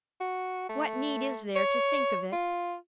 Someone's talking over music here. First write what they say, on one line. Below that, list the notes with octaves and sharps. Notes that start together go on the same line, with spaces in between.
What need is there to think of it?
F#4
A3
C#5
F4